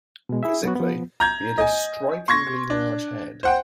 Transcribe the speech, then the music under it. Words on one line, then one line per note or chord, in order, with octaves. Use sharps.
Physically, he had a strikingly large head.
B2 G#3
E4 G#4 E5
F#3 B3 F#4
F3 B3
A#5 G6 G#6
D#5 G#5
C6 C#6 G#6 A#6
D4
C5 F#5 G5